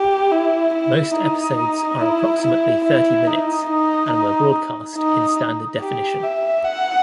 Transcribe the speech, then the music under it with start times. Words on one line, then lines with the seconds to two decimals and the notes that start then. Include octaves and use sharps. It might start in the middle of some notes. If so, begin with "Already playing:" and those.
Most episodes are approximately thirty minutes, and were broadcast in standard definition.
Already playing: G4
0.32 E4
0.74 E4
1.15 D#4
2.01 E4
2.43 E4
2.85 E4
3.27 D#4
3.70 D#4
4.11 D#4
4.96 D#4
5.81 G4
6.23 E5
6.65 F#5